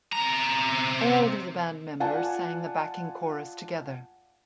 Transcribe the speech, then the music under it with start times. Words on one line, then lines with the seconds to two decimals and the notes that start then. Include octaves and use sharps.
All of the band members sang the backing chorus together.
0.12 C3 A#5
2.00 F4 D5 F#5 G#5 A5